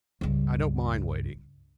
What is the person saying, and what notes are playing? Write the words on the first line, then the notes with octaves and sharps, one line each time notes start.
I don't mind waiting.
C#2 G2